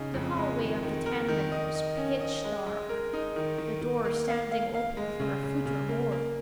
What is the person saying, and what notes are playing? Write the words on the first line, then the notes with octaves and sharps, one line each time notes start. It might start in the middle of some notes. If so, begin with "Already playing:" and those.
The hallway of the tenement was pitch-dark, the door standing open for a foot or more.
Already playing: C#3 D#4
F2
G#3
D#3
D#3
A#4
D#3
D#5
D#5
C#4
D#5
G#3
G#3
A#4
D#4
D#3
D#3
D#3
A#3
F5
F5
F5
G#3
C#3
C#3
C#3
A#3
A#3